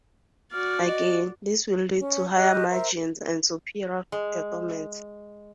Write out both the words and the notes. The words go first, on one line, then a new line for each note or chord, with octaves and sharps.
Again, this will lead to higher margins and superior performance.
F#4 D5 F6
D#5
C#4
G4 D#5 F#6
A#4 C5 E5
G#3